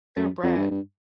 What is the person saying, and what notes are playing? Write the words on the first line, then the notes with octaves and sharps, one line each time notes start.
They're a brat.
F#2
F2
G2
G2